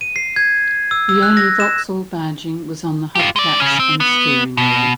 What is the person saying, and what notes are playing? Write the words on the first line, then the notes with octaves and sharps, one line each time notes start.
The only Vauxhall badging was on the hub caps and steering wheel.
D#7
C7
G#6
E6
E6
F#6
A#6
E7
F4 G4
G#3 D5
C#3 C#4
C4
B3
B2